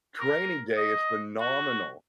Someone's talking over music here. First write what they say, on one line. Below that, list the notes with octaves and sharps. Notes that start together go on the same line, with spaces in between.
Training Day is phenomenal.
A#4
D#5
F#4